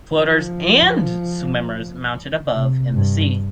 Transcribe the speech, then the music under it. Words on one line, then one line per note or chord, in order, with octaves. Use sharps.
Floaters and swimmers mounted above in the sea.
F3
C3
G2